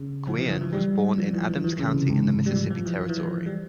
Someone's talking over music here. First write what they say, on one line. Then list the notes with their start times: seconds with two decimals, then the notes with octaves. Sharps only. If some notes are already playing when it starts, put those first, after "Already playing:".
Guion was born in Adams County in the Mississippi Territory.
Already playing: C#3
0.27 F3
0.39 E3
0.50 E3
0.61 F3
0.73 G3
1.18 F3
1.33 E3
1.49 E3
1.64 E3
1.79 C#3
1.94 C3
2.10 G#2
2.46 G3
2.55 F3
2.70 F3
2.85 E3
3.01 F3
3.09 E3
3.18 F3
3.46 G3